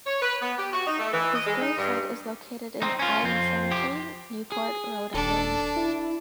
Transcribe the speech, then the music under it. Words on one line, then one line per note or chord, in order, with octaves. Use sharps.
His grave site is located in Island Cemetery, Newport, Rhode Island.
C#5
B4
B3
G4
F#4
D#4
A3
E3
D#5
G#3
D#4
G2
C4 D#4
C#4 F4
F2 C4
F3 G4
G#4
D#1 D4 A4
E4